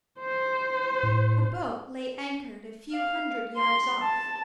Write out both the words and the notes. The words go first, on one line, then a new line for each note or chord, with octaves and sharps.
A boat lay anchored a few hundred yards off.
C5
A2
F5
C6
A5